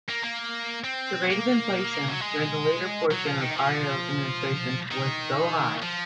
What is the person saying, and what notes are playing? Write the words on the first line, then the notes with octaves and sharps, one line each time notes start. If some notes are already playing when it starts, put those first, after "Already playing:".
The rate of inflation during the later portion of Arroyo's administration was so high.
A#3
A#3
C4
A#3
F#3
G#3
F#3
F3
D#3
F3
D#3
F3